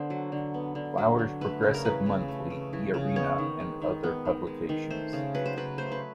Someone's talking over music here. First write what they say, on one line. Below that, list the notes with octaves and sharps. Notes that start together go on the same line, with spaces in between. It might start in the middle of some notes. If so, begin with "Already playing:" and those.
Flower's progressive monthly, "The Arena" and other publications.
Already playing: D3 B3 C5
F#3
D3
B3
D3
F#3
D3
A3 B4
C#3
A#4
E3 B4
C#3
A3
C#3
E3
C#3
B3 C#5
D#3
G#3
D#3
B3
D#3
G#3
D#3
A3 C5
C#3
F#3 B4
C5
C#3 B4
A3 C5
B4